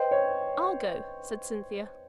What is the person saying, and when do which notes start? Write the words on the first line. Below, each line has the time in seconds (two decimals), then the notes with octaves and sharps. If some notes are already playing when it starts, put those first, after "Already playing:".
"I'll go," said Cynthia.
Already playing: B4 C5 D#5 G5
0.11 C#5